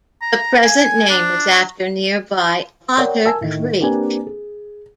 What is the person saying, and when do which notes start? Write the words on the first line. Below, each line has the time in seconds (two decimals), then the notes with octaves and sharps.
The present name is after nearby Otter Creek.
0.22 A#5
0.63 G#5
1.10 D4
2.98 A#4 C#5 D5 F#5 G5
3.25 A#4 G#5 A5 E6
3.41 A2 D#3
3.80 A#3 C4 D4 G4 B4 G#5
4.27 G#4